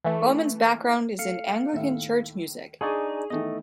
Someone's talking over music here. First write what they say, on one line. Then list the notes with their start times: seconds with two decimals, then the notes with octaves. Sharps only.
Bowman's background is in Anglican church music.
0.05 E3 A3
1.19 A3 F5 C#7
1.72 D#2 A2 E5
2.81 D4 D#4 G#4 D5 F5 C#6
3.30 D#3 E3 A3 B3 D#5